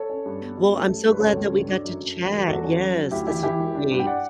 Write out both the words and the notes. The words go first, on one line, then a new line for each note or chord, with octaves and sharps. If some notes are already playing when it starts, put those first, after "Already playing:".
Well, I'm so glad that we got to chat. Yes, this was great.
Already playing: A4 C#5
C#4
G2
B3
F#2
A3
G3
G2
B4
C#2 A4 C#5
C#2
G2
D4
F#2
F#2
E1
E1
E2 F#4 A4
C#4
F#3
F#3
D2 E4 G4
E3 E4 G4
E3 E4 G4
E1
D4
G2
G5
D5 F#5